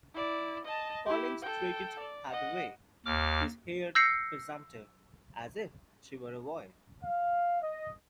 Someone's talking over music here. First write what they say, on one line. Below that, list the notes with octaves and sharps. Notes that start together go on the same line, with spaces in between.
Collings treated Hathaway, his heir presumptive, as if she were a boy.
E4 D5
D#5 A5
E4 G4
A4 G5
D5
D#5 F#5
D#2 D6 F6
E6 G6 A#6 C7 C#7
F5
D#5